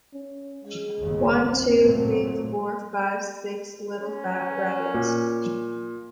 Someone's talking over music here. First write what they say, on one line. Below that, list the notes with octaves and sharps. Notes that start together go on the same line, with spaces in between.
One, two, three, four, five, six little fat rabbits!
C#4
G#3
G1 D#2 C#3
C4
A#2 F#3 A3
C#4
A#2